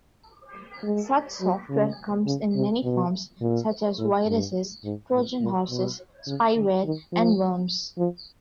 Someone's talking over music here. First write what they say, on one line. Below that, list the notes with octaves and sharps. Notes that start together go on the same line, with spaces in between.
Such software comes in many forms, such as viruses, Trojan horses, spyware, and worms.
G#3
F#3
C#3
C#3
C3
B2
A#2
A2
G2
G#2
A2
A#2
B2
C#3
D3
D#3
F3
F3